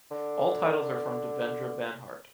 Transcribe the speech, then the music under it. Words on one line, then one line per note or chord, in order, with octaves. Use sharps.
All titles are from Devendra Banhart.
D3